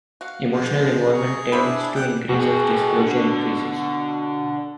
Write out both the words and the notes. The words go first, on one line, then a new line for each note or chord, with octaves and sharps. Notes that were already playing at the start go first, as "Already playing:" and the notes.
Emotional involvement tends to increase as disclosure increases.
F#4 F5
F3 G#3
G#4 A#5 C#6
D4 E4 C5 E5 A5 B5
G4 F#5 G5
B2 F#4 G#4
D3